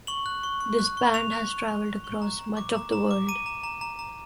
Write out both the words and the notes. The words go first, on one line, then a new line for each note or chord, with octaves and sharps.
This band has travelled across much of the world.
C#6 F#7
F#6
C#6
C#6
F#6
C#6
C#6 F7
F#6
C#6
C#6
C#6
C#6
A#5
A#5
D6
A#5
A#5
D6
A#5 D#7
A#5
A#5
A#5
A#5